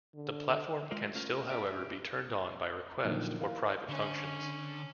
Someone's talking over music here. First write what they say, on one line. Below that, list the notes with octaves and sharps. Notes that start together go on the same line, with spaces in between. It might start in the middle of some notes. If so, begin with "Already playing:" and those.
The platform can still however be turned on by request for private functions.
D3
G#3 F4 A#4 C5 D5
A3 C#4 F4 A#4
C#4 D4 G4 A#4 D5 E5
A#2 D3 D#3 F3 F#3 A#3
E4 A#4 F5
D3 C#4